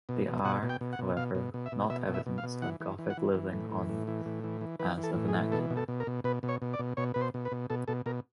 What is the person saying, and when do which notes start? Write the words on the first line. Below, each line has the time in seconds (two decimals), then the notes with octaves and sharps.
They are, however, not evidence of Gothic living on as a vernacular.
0.09 B2
0.27 B2
0.44 B2 F#5
0.63 B2
0.70 G5
0.81 B2
0.93 F#5
0.99 B2
1.17 B2 F5
1.35 B2
1.54 B2
1.66 E5
1.72 B2
1.90 B2 E5
2.08 B2
2.14 E5
2.26 B2
2.38 F5
2.44 B2
2.62 E3 F#5
2.80 E3
2.98 E3
3.10 F#5
3.17 E3
3.34 E3
3.53 A2
3.71 E3
3.89 A2
4.07 E3
4.26 A2
4.44 E3
4.61 E3
4.79 E3 B4
4.98 E3
5.03 A4
5.16 A2
5.28 G#4
5.34 E3
5.52 B2 A4
5.70 B2
5.77 A4
5.88 B2
6.00 A#4
6.07 B2
6.24 B2 B4
6.43 B2
6.48 C#5
6.62 B2
6.73 D5
6.79 B2
6.97 B2 C#5
7.14 B2 B4
7.21 C5
7.34 B2
7.45 B4
7.52 B2
7.70 B2 A4
7.88 B2 A4
8.06 B2 A#4